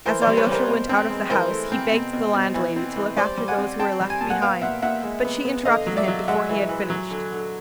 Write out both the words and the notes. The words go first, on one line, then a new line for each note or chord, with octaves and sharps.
As Alyosha went out of the house he begged the landlady to look after those who were left behind, but she interrupted him before he had finished.
E3 A#4 C5
C5 D5
G3
B4 C#5
G3
A#4 C5
B2
C4
G#3
E3 A#4 C5
A3
C4
B2
B2
B2
E3
C4
E3
G3 C5 D5
G3
F#5 G#5
C4
C4 G5 A5
G3
G#5
A#2 A5
F#5 G#5
B3 F5 G5
A#2 E5 F#5
A#2 E5 F#5
G#3
B3
B3
D3 D#5 F5
F#3
D5 E5
F#3
G#3 E5 F#5
E3
E3
F#3
D3
D3